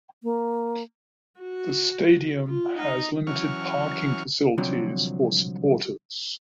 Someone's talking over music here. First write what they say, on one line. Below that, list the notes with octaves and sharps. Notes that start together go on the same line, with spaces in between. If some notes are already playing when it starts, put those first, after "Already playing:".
The stadium has limited parking facilities for supporters.
A#3
F#4
F4
D#4
E3 F#3 C#4 C#6 F6
C2 D3 F3 F#3 C4